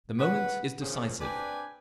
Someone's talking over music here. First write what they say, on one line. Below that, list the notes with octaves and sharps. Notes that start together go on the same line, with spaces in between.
The moment is decisive.
B4 F#5
A#2 C#3 F3
C4 D4 B4 D5 G5 G#5